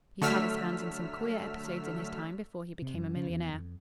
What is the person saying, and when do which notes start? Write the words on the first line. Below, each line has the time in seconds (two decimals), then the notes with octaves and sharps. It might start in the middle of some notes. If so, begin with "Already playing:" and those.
He's had his hands in some queer episodes in his time before he became a millionaire.
0.21 D3 F#3 A3 E6 F6 B6
2.82 C3
2.94 F#2
3.16 C#3
3.29 E2
3.53 F2